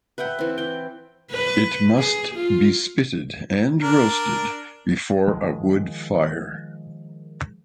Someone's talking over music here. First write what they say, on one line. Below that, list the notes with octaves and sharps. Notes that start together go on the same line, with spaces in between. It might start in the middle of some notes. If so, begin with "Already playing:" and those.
It must be spitted and roasted before a wood fire.
B4 E5 F#5 G5
E3 C4
E3 G5
B4
G#4
F4
D4 A#4
D#3 F3 G#3